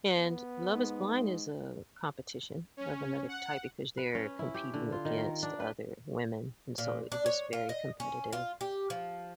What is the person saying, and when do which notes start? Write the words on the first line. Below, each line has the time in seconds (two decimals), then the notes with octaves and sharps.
and, Love is Blind is a competition of another type because they're competing against other women, and so it gets very competitive,
0.16 B3
0.75 G#2
2.77 C#4
3.28 F#5
3.97 B4
4.15 C#4
4.39 E4
4.54 G4
4.74 D3
4.92 F4
5.05 D#3
5.18 A#4
5.43 D4
5.60 B4
6.78 A#2
7.12 D4
7.26 C#5
7.53 F4
7.69 D#5
8.00 C#4
8.33 F4
8.61 G4
8.90 F3